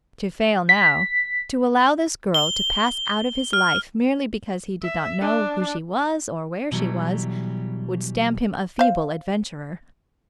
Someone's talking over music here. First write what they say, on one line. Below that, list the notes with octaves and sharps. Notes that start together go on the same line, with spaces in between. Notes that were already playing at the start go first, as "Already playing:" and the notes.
To fail now, to allow this girl to pass out of his life merely because he did not know who she was or where she was, would stamp him a feeble adventurer.
B6
G7
F6
E5
D4
B2 E3 F#3 G3
C5 F5